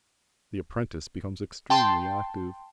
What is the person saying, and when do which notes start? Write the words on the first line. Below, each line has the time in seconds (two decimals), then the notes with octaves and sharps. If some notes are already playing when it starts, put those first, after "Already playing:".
The apprentice becomes extremely active.
1.70 G5 A5 C6